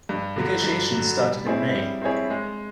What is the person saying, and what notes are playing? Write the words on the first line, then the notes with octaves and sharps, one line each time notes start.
Negotiations started in May.
G2
D3 F#3
G2
D3 F#3
G3
C4 E4 G#4 C#5
G3
C4 E4 G#4 C#5
G#3